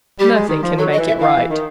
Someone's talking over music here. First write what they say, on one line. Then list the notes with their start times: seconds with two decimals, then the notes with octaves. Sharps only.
Nothing can make it right.
0.19 G3 G4
0.34 G#3
0.48 D#3
0.63 F3
0.78 F#3 A4
0.92 D#5
0.97 E3
1.07 E5
1.17 E3 F5
1.36 E3
1.50 D#3